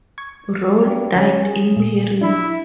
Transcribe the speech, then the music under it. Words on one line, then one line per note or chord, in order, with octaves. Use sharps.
Rolle died in Paris.
C#6 G#6
G2
D3 F#3 C#4
G#4
A#2 A3
D4 E4 B5